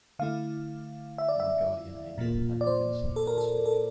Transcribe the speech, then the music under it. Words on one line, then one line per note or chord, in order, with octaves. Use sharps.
My guardian angel had not been asleep at the switch.
D3 A3 E4 F5
E5
D5
E5
A#2 F3 A#3 F4
D5
C5
A4
A#4
A4
A4